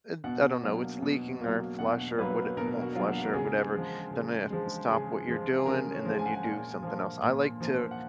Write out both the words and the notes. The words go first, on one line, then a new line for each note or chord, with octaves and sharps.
eh I don't know, it's leaking or flush or would won't flush or whatever, then I have to stop what you're doing, and then you do something else, I like to
B2 F#5
F#3 A#3
B2
F#3 A#3
B2 F#5
F#3 A#3 B4
B2 A#4
F#4
F#3 A#3 F4
F#4
A#4
C#3 G#4
F3 G#3
C#3
F3 G#3
C#3 G#4
F3 G#3
G#4
C#3 A#4
C#5
F3 G#3
G#5
F#5
G#5
A#2
F3 A#3
A#2
F3 A#3
F#5